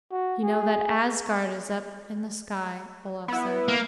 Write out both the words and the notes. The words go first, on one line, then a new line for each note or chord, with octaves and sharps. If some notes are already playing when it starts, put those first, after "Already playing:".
"You know that Asgard is up in the sky," Olaf said.
F#4
G#4
B3 E4
A#3